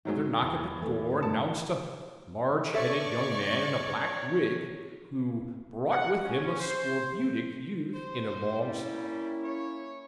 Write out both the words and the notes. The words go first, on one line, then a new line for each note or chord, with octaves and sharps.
Another knock at the door announced a large-headed young man in a black wig, who brought with him a scorbutic youth in a long stock.
D#3 F#3 G#3 E5
E2
E3 A3
G#2 B4
A3 A#4 D5 A5
A4 C#5 D5 E5 C#6
F#5
C#4
C5
C5
G3 A#3 C#4 E4
C#5